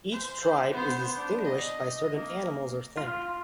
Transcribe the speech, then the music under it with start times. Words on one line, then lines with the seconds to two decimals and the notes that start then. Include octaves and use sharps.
Each tribe is distinguished by certain animals or things.
0.12 C5
0.71 B3 C5
1.16 D4
1.44 D#5
2.13 A#3
2.97 F4